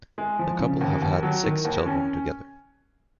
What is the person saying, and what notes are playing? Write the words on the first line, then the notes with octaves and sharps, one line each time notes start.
The couple have had six children together.
G#3
F3
C#3
D#2
D#2
F#3
D#3
D#2
C#4